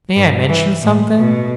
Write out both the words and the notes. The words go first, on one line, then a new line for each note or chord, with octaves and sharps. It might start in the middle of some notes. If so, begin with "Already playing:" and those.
May I mention something?'
G2
E3
A2
B2